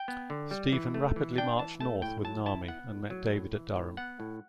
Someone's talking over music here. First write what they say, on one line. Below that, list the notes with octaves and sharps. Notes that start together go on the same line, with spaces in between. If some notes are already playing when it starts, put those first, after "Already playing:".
Stephen rapidly marched north with an army and met David at Durham.
Already playing: G5
B3
D3
G3
E3
A3
E3
D4 G5
E3 A5
A3 A5
A2 G5
F#3 A5
E4 A5
B3 F#5
A2
F#3
A2
E3
A2
B3 F#5
A2